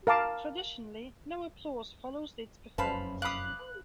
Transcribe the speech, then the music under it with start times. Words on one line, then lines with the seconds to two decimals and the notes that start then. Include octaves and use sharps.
Traditionally, no applause follows its performance.
0.07 A#4 F5 A5 D6
2.78 F1 F#2 C#4 B4 C5 F5 A5 B5
3.22 F5 B5 D6 D#6 F#6